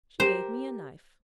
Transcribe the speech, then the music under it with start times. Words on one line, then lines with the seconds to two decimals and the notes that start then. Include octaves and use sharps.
'She gave me a knife.'
0.20 G4 A#4 C5